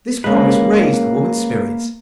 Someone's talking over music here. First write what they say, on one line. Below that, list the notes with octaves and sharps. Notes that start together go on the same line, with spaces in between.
This promise raised the woman's spirits.
G#3 A#3 C#4 B4